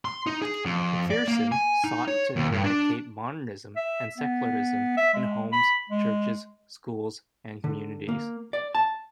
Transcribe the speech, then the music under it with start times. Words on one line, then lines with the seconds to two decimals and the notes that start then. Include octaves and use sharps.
McPherson sought to eradicate modernism and secularism in homes, churches, schools, and communities.
0.05 C6
0.27 D#4
0.42 G#4
0.65 F2
1.10 D5
1.28 A#3
1.52 G#5
1.85 D#4
2.07 C#5
2.36 D#2
2.52 G2
2.64 D4
3.76 E5
4.18 B3
4.97 E5
5.14 G#3
5.53 B5
5.90 G#3
7.64 D3
8.09 A#3
8.53 D5
8.75 A5